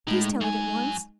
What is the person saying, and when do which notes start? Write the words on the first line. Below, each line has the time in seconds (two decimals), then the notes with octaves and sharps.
'Please tell it at once.
0.07 A2 G#3 D#4
0.41 F#2 G#5